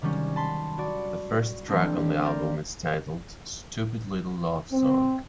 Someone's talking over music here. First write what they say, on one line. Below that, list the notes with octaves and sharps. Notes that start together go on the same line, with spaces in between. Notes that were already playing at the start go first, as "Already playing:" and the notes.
The first track on the album is titled "Stupid Little Love Song".
C3 D#3 F#3 G3 C#4
A5 B5 C6
F#4 D5
E3 G3 A3 A#3 C4 D4
C4 A#4 D5
C4